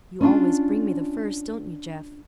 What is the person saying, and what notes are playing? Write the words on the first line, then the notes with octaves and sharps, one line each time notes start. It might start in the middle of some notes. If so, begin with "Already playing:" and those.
You always bring me the first, don't you, Jeff?
C#4 D4 F4